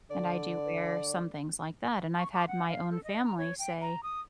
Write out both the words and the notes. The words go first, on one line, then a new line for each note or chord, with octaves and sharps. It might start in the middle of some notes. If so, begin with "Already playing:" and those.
And I do wear some things like that. And I've had my own family say
D3 D5
C#6
D6
F#5
F5
A4
D#5
A#5
C#5
G5
A#5
D#6